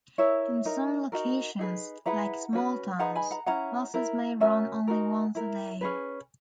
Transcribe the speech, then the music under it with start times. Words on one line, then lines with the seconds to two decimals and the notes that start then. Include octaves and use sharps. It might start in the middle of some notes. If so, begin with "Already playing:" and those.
In some locations, like small towns, buses may run only once a day.
0.18 E4 A#4 C#5 E5
0.65 D#4 A#4
1.12 D#4 F#4 A#4
1.59 D#4 G#4 B4
2.06 E4 G#4 B4 F#5 A#5
2.53 C#4 F#4 B4
2.99 D#4 G#4 B4 F#5 A#5
3.15 G#5 B5
3.31 F#5 A#5
3.46 C#4 E4 G#4 F#5 A#5
3.94 E4 A#4
4.40 C#4 F#4 A#4 E5 G#5
4.88 D#4 F#4 A#4
5.35 E4 A#4
5.81 C#4 G#4 B4